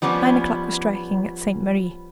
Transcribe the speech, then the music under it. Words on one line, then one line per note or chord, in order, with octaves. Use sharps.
Nine o'clock was striking at Saint-Merri.
F3 G3 B3 C#4